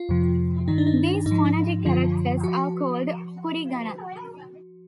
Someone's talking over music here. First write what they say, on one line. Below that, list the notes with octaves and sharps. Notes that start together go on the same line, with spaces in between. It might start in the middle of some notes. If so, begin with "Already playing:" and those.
These phonetic characters are called okurigana.
Already playing: F4
F2 C3 F3
G2 D#3 D#4
D4
D#4
G#2 D#4
F3
F#2 D3 F3 F4
F3 F#4